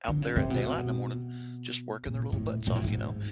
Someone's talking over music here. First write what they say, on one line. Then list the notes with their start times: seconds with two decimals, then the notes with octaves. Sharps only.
out there at daylight in the morning, just working their little butts off, you know?
0.08 D3
0.22 C#3
0.36 C3
0.50 B2
2.06 A#2
2.32 A2
2.67 A#2
2.75 A2
2.84 G#2